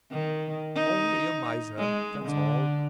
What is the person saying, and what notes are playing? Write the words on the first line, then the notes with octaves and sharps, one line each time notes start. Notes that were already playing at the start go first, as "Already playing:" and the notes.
Only a miser; that's all.'
D#3
D#4
G#3
D3